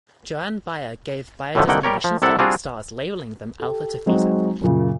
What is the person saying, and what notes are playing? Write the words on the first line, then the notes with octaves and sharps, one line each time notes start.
Johann Bayer gave Bayer designations to eight stars, labelling them Alpha to Theta.
F#2 A2 D3 D#3 F3 A3
C2 D3 D#3 A#3 F#5 G5
G3 G4 A#4 C#5
F3
C2 C3 E4 A4 F#5 A5
G3 C4 D4 F4 F#4 G#4
G4 A4
F#3 G#3 C4 D#4 F#4
F#2 A#2 C#3